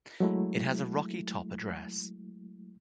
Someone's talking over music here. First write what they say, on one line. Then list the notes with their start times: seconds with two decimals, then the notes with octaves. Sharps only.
It has a Rocky Top address.
0.20 F#3 G#3 A3 E4